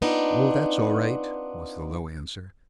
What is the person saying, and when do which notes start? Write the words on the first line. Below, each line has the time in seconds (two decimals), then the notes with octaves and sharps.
"Oh, that's all right," was the low answer.
0.02 B3 C4 D4 D#4 F4